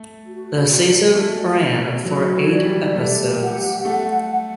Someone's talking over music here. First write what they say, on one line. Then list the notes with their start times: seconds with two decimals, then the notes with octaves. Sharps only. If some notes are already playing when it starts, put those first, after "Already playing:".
The season ran for eight episodes.
Already playing: A3
0.25 F#4
0.70 D5
1.15 A3 F#4
1.60 F#4
2.05 F#3 F#4
2.35 E3
2.50 D5
2.65 G3
2.95 A3 G4
3.40 F#5
3.85 A3 F#5
4.30 F#5